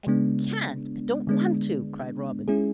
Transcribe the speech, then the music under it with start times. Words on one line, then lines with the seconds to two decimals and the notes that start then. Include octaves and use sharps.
"I can't--I don't want to," cried Robin.
0.07 C#3 G#3 B3 D4
1.27 D3 G#3 B3 D4
2.48 G#3 C#4 E4 G#4